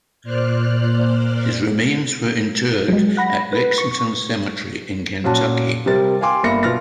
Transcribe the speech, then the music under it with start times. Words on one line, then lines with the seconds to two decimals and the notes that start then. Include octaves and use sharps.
His remains were interred at Lexington Cemetery in Kentucky.
0.23 A#2 C5 D5 F6 F#6
2.88 F#3 G#3
3.17 F#5 B5 A#6
3.53 B4
3.78 C#6
5.24 A#2 C#4 F#4 A5
5.86 C3 G3 C4 A#4 A6
6.21 F5 G5 G#5 C6 D6
6.43 G1 A#3 E5 B5 A#6 C#7
6.63 B2 F4 F6 A6 A#6